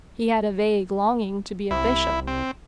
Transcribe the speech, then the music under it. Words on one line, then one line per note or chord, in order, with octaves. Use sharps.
He had a vague longing to be a bishop.
C2 E4
C4